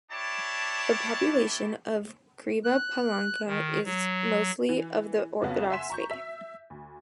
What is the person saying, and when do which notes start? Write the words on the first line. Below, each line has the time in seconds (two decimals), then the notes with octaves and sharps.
The population of Kriva Palanka is mostly of the Orthodox faith.
0.11 D4 E4 G4 C#5 A5
2.64 F#6
3.47 D#3
3.84 F#3
4.69 E3
5.41 F2 C#3 F#3 B3
5.70 E5 F#5 G#5 C6 B6 E7
5.90 A#5 C#6 G6
6.10 E5 B6
6.70 D2